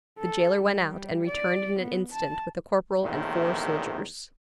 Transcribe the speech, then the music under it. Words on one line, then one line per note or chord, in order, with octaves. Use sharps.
The jailer went out, and returned in an instant with a corporal and four soldiers.
A4
G3
D5
B3
A5
A#1 E2 A2 C3 D#3